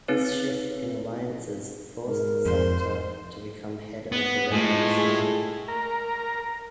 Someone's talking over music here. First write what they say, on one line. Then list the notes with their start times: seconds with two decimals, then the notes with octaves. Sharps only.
This shift in alliances forced Zapata to become head of the Revolution.
0.08 C4 D#4 B4 C#5
2.07 G#2 A#4
2.45 F2 C5
4.12 B3
4.51 A2 G#3 A3 F4
4.97 G#4
5.68 A#4